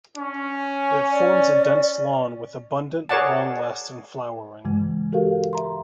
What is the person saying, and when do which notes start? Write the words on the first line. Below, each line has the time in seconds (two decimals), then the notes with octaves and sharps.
It forms a dense lawn with abundant, long-lasting flowering.
0.17 C#4
1.11 D5
3.09 G#4 A#4 C#5 D5 F#5 A5
4.65 G2 C#3 E3 G#3
5.12 F#4 G4 A4 A#4 F5
5.53 E5 A#5 C6